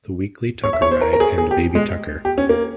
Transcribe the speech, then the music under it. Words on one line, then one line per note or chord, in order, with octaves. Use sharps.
The weekly Tucker Ride and Baby Tucker.
C#5
E5
C#5
C5
A#4
A#4
G#4
G#4
G4
G#3
G4
C#4
A#3